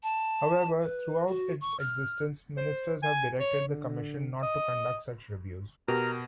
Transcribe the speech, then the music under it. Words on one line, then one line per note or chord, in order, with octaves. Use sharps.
However, throughout its existence, Ministers have directed the Commission not to conduct such reviews.
A5
B4
F#4
C#6
F6
C5
G#5
C#5
D3
D#5
B2 G4 A#4 A#5 F6